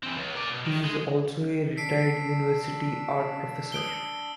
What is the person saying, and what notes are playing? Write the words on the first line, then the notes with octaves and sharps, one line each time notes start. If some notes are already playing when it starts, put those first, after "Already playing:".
He is also a retired university art professor.
E3 C4
C#2
A#4 D5
B2
D#3
G#3
D4 E6 B6 C7 D7
D#6 D7 G7